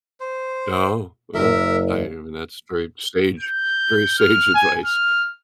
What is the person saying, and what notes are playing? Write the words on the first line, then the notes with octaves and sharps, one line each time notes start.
Oh, well, I mean that's very staged very sage advice.
C5
F#1 A#4 E5
G6
F6
G#5
F6